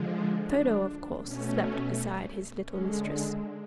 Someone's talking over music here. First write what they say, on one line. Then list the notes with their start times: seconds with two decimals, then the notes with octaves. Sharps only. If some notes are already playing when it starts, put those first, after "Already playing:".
Toto, of course, slept beside his little mistress.
Already playing: D3 F3 G#3
0.12 D4
0.49 D4
1.22 B2 A3 C#4
2.68 D3 G#3 C#4
3.06 D4